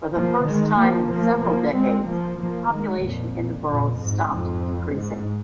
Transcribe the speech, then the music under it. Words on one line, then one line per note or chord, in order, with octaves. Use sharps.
For the first time in several decades the population in the borough stopped decreasing.
F3 A#3
D#3 G#3
F3 A#3
F3 A#3
F3 A#3
G#3 C4
F3 A#3
F3 A#3
D#3 G#3
F2 A#2
F2 A#2
G#2
F2
G#2